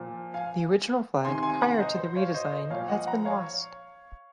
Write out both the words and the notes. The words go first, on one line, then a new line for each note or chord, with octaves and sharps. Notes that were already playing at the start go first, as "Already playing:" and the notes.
The original flag prior to the redesign has been lost.
Already playing: A#2 F3
F5 G#5
C3 D#3 G#5 C6
G#5 C6
F#5 A#5
C5 D#5
C5
C#5 F5
C5 D#5
C5 D#5
A#2 F3 C#5 F5
D#5 F#5
F#5 A#5
C#5 F5